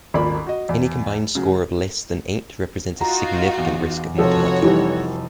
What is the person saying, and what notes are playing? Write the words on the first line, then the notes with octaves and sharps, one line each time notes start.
Any combined score of less than eight represents a significant risk of mortality.
D#1 G#1 A#2 A#3 D5 B5
F#4 D#5
E2 D5
C#3 F#3
D#4 F4 F#4 A#5
E2
F1 F3 F#4 A4 C#5
E3 G3 D#4